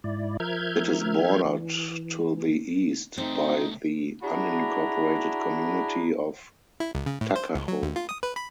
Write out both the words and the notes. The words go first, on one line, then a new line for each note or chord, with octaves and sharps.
It is bordered to the east by the unincorporated community of Tuckahoe.
G#2 E4 D5
F3 A#4 E5 F6 G6 G#6
E3
C2 A3 C4 D#4
D4 E4 F#4 G#4 A#5 B5
E4
C#2
C#3
A2
C5
C#2
F#3
D#2
F4
D#6
B4
B5